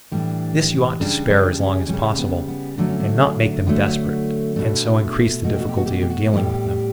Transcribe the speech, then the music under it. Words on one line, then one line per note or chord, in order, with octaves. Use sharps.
This you ought to spare as long as possible, and not make them desperate, and so increase the difficulty of dealing with them.
A2 E3 G3 D4
C#3 G3 D4
D4
C#4
C#3 G3 C#4
B3
B3
D3 F#3 A3 D4
C#4
D4
D3 F#3 A3
B2 A3 D4
B2 A3 F#4
G4
F#4
G4
F#4
G4
F#4
G4
F#4
A2 G3 G4